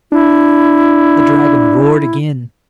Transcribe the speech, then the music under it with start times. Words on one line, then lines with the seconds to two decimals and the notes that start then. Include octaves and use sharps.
The dragon roared again.
0.12 D4 E4